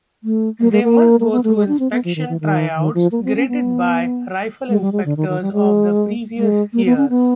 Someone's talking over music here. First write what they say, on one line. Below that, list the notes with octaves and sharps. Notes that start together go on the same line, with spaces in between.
They must go through inspection tryouts graded by rifle inspectors of the previous year.
A3
A#3
G#3
A#3
A#3
B3
A3
G#3
D4
C4
B3
F3
D#3
E3
D#3
D#3
F3
A#3
C4
C#4
B3
G#3
G3
G#3
D3
D#3
D#3
G3
G#3
G#3
A#3
B3
C#4
B3